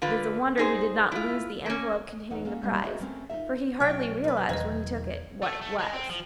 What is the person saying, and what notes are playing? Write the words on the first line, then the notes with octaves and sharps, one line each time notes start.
It is a wonder he did not lose the envelope containing the prize, for he hardly realized when he took it what it was.
D3 F4 B4
D#4 G#4 C5
E4 F4
A#3 C#4
E2 D#4 A#4 F#5
A#3 C#4 A4
G3 G#3 A#3 C#4
F#4 G#4 A#4 B4 D#5 E5
A3 C4 C#4 A#4
D#4 F4 A#4 E5
B1 C#5 G5
G2 B4
E2 D#3 B4 D#5 G#6
A3
A3
G#3
C4
F3